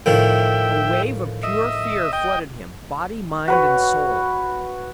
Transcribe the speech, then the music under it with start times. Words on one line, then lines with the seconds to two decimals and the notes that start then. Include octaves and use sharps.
A wave of pure fear flooded him, body, mind, and soul.
0.06 A2 D#3 F3 E5 G5
1.43 D#5 E5
2.13 D#5 G5
3.48 F#4 B4 C#5